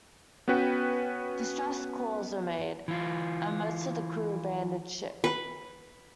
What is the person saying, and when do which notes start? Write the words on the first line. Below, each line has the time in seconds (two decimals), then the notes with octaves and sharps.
Distress calls were made, and most of the crew abandoned ship.
0.48 B3 C#4 F#4 B4 G5
2.88 E3 F4
5.24 B4